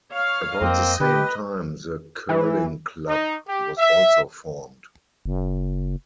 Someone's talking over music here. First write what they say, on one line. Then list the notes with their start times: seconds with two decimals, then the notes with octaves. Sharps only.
About the same time the Curling Club was also formed.
0.12 C#5 F5
0.62 F2 A#3 C4 D#5
1.00 D3 G4 B4
2.29 E3
3.08 D#4
3.49 G4
3.78 E5
5.26 F#1